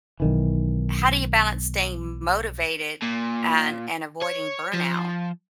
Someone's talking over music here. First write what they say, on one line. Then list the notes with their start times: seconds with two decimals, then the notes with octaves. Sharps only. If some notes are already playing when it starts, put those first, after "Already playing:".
how do you balance staying motivated and and avoiding burnout
0.20 B1 D#3 E3
3.03 A#2
4.22 C#5
4.73 F3